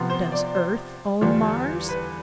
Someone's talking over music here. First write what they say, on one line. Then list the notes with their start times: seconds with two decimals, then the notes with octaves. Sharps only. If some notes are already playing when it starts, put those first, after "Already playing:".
"Does Earth own Mars?"
Already playing: C3 F3 B3 F4
0.10 C5
0.32 D5
0.55 C5
1.21 E2 D3 G3 D4 F4
1.89 B4